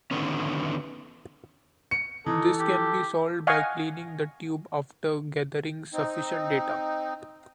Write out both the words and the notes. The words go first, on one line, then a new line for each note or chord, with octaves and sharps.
This can be solved by cleaning the tube after gathering sufficient data.
D3 D#3 B3 C#4
C#7
E3 D#4 A4
G4
D#5 F5 F#5 G#5 C#6
C4 D#4